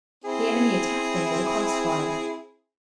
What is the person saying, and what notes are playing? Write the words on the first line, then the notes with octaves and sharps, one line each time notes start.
The enemy attacked them with a cross-fire.
C4 E4 G#4